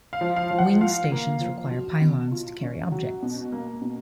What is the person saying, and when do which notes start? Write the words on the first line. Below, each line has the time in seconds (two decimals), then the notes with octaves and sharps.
Wing stations require pylons to carry objects.
0.13 F5
0.21 F3
0.36 F5
0.51 F3
0.58 F#5
0.81 F4 F5
1.12 A#3
1.41 F3
1.71 F#3
2.01 B2
2.32 F4
2.62 C#4
2.92 F#3
3.23 B2
3.52 A#3
3.82 B2